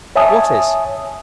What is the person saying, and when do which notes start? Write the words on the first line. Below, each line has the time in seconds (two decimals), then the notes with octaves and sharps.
"What is?"
0.16 C#5 E5 G#5 A5 D#6